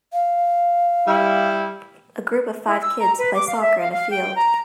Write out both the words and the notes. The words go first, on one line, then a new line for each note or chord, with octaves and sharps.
A group of five kids play soccer in a field.
F5
G3 E4
E4
E6
A#5
B4
D6
F5
E5
F5
F5
G5
A#5